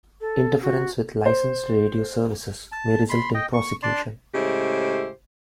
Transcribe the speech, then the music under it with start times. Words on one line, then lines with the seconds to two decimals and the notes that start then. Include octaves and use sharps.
Interference with licensed radio services may result in prosecution.
0.21 A4
0.62 F#4
1.26 C5
2.72 A5
3.10 B5 C6
3.34 D#5 G5
3.54 C#6
3.83 D4 D5 A5 C6
4.34 A2 C#3 G#3 E4 G4 C5